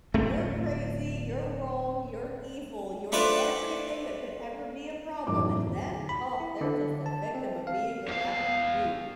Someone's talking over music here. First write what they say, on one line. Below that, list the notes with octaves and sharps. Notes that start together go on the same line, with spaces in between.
"You're crazy, you're wrong, you're evil, you're everything that could ever be a problem. And them? Oh, they're just a victim of being around you."
D1 A3 C4
A3 D4 F4 B4 C5 D5
E1 F#2 A2 D#4 E4 D6
D2
B5
E4
D3
A5
C4
F5
E2 F5